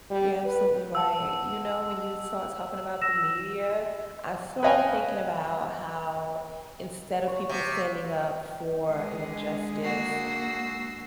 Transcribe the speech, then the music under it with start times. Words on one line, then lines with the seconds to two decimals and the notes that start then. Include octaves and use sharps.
You're absolutely right. You know, when you start talking about the media, I started thinking about how instead of people standing up for an injustice,
0.10 G3
0.45 B4
0.95 F#5 A5 E6
3.02 E6 A#6 E7
4.63 B4 C#5 D#5 F5 G5 G#5
7.27 C#5
7.49 C3
8.84 D3 G#3 G#4
9.84 A#3 F#4 E6 C7